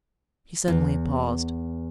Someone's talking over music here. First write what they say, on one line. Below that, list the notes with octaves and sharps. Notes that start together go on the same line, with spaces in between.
He suddenly paused.
E2